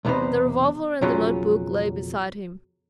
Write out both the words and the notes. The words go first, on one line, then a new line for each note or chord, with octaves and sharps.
The revolver and the notebook lay beside him.
B1 E2 C3 B3 D#4 C5
B1 F2 C#3 F#3 C#4 F4